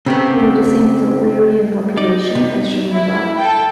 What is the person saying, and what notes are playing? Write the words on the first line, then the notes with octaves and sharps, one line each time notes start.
They are the same total area and population as shown above.
C#3 A3 B3 C4 G4
D#4 D5
C3 B3
E4
A4 G5